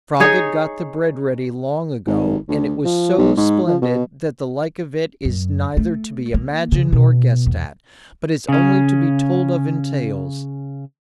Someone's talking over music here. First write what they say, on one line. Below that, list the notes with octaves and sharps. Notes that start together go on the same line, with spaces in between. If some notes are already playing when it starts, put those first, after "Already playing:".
The frog had got the bread ready long ago, and it was so splendid that the like of it is neither to be imagined nor guessed at, but is only to be told of in tales.
D#4 G#4 C#5
G#1
D2
F3
B1
G#2
F3
B2
F#2
A3
A#3
C#3
B2
E2
C#3 C#4